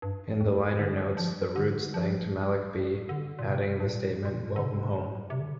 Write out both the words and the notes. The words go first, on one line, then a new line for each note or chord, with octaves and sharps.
In the liner notes, The Roots thanked Malik B, adding the statement: "Welcome Home".
G2
F2
D3
F3
D3
F3
D3
A#2
C3
G2
A#2
A#2
D3
C3
C3
D3